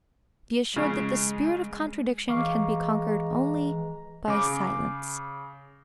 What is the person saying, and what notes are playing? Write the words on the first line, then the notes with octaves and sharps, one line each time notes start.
Be assured that the spirit of contradiction can be conquered only by silence.
C#3 G#3
E3 G#3 F5 A#5 C#6 D6
C#3 D6